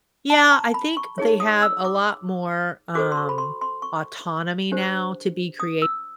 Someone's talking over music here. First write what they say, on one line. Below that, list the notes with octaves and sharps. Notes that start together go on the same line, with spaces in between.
Yeah. I think they have a lot more, um, autonomy now to be creative.
A5
A#5
B5
C#6
D#4 G#4 C#5
D#6
E6
D6
F#4 A4 C5 D6
C6
C#6
B5
C6
C6
C#6
D4 G4 C5
D#6
E6